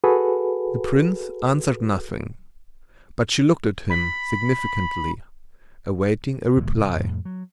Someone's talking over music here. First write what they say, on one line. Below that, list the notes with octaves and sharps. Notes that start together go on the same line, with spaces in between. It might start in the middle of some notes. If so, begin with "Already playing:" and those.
The prince answered nothing, but she looked at him significantly, awaiting a reply.
F#4 G#4 A4 B4
B5
D2 A#2 E3 G#3
G2 C3
F2 A2
F#3